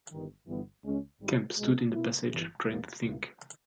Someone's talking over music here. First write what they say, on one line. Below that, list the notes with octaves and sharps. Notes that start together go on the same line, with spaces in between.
Kemp stood in the passage trying to think.
G1 G2 D#3
G1 G2 E3 G3 B3
C#2 C#3 G#3 C#4
G#1 G#2 G3
B1 B2 G#3
B2 A#3 E4
G1 G2 E3
E2 B2 G3 A#3
C#2 B2 G3 A#3 E4